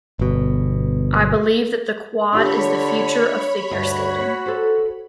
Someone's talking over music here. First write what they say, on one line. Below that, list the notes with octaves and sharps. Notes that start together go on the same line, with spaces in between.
I believe that the quad is the future of figure skating.
G1 B2
D3 D4 F4 G4 C#5 B5
D2 G2 F#4 D#5
A4 C5